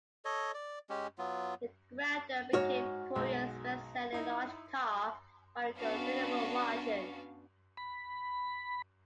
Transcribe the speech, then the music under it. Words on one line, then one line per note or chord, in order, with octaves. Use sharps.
The Grandeur became Korea's bestselling large car by a considerable margin.
A4 C#5 D#5
D5
G#3 C#4 G4
F#3 B3 F4
G#2 F#4 C#5 F6
B1 G#3
D#4 E4
B3 C#4 D4 F#4 F5
B5